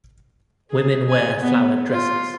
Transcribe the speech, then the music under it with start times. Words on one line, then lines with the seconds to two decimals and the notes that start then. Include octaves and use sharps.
Women wear flowered dresses.
0.71 G#4
1.09 G#5
1.40 B3
1.90 F4